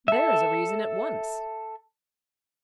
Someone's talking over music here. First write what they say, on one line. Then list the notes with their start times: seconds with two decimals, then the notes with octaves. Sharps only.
There is a reason at once.
0.08 A4 E5